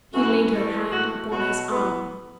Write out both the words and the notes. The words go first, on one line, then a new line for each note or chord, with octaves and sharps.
She laid her hand upon his arm.
F#2 E3 A3 F#4
A2 E3 A3
A2 F#4
A3
B2 F#3 A3 F#4
A2 E3 B3